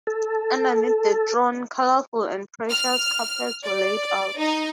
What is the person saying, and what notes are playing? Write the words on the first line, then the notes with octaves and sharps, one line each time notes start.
Underneath the throne, colorful and precious carpets were laid out.
A4
F6
D5
D#4